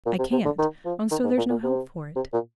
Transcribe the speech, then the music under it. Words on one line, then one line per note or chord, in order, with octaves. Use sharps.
"I can't! and so there's no help for it."
A#2
C3
C3
D3
D#3
F3
D#3
G#2
A#2
A#2
C3
C3
A#2